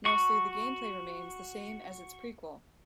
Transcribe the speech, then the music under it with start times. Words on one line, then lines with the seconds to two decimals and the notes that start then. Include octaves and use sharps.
Mostly the gameplay remains the same as its prequel.
0.05 F#4 C#6